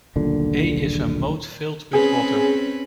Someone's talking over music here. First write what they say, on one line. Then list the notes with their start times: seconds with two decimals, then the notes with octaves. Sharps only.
A is a moat filled with water.
0.16 D#1 B1 A#2 D3
1.93 C4 C#4 G#4 B4